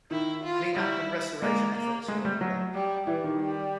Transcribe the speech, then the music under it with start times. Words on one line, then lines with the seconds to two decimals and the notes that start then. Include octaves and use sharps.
Cleanup and restoration efforts are ongoing.
0.11 D#3 E4
0.44 F4
0.76 G3 E4
1.42 G#3 A#3
1.76 A#3
2.08 G#3 A3
2.25 G3
2.41 F#3
2.74 G3
3.07 E3 G3
3.24 D#3
3.40 G3